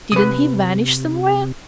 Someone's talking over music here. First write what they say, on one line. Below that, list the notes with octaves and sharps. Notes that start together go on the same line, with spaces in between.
"Didn't he vanish somewhere?"
C3 B4 D#6